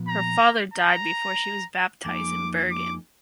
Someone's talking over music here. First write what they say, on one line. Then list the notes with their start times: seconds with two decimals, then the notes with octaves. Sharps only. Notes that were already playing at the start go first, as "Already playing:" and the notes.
Her father died before she was baptized in Bergen.
Already playing: A#2 F3 B3
0.08 A#5
0.73 A#5
2.05 F2 F3 A#3 D#4 G#4 D6
2.71 D6